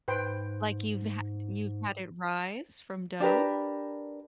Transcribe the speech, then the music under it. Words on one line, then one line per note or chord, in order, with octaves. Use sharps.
Like, you've ha you've had it rise from dough?
G#2 B4 C5 G5
D4 G4 A#4 B4